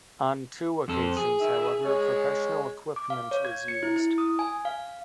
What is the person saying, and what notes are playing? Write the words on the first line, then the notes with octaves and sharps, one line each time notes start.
On two occasions, however, professional equipment was used.
F2 A4
G#4
D#3 E5 E6
G#3 C#5
D6
F5
C#5
G#6
C#7
E4
E4
D#6
G#5
F5